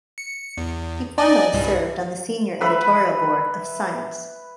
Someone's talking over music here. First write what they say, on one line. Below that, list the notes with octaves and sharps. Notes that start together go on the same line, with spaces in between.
He formerly served on the Senior Editorial Board of "Science".
C#7
E2
D5 D#5 G#5
C2 G2 G3
B4 E5 B5